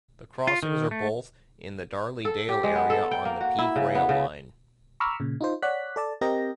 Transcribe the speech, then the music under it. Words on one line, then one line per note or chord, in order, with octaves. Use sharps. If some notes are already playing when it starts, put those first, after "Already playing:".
The crossings are both in the Darley Dale area on the Peak Rail line.
F4
D#3
A3
A4
G4
G#3
B3
A4
G5
A#3
F#4
E4
C#3
B3
C#3
A#5 B5 C#6 D6 E6 F6
A#2 C#3
D#4 F4 C5
C#5 D5 F#5 F#6 B6
A4 D5 A5
C4 G4 A#4 D#5 G5 A#6